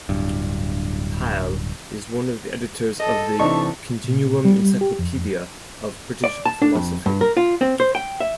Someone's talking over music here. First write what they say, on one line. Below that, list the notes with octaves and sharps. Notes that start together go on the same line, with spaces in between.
Pyle is one of the editors of the "Continuum Encyclopedia of British Philosophy".
D1 G2
A4 D#5
C3 E3 D4 D#4 A5 C#6
A#2
G3
G4
F2
D5
A5
D4
F2
G2
A#4
F4
C4
C5
G5
E5